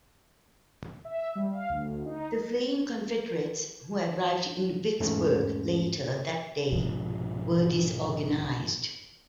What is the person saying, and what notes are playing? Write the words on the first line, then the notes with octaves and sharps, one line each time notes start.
The fleeing Confederates who arrived in Vicksburg later that day were disorganized.
E5
G3
F5
D2
D#4
E2 G#2 G#3 A3 C#4
C2 G#2 B2 F3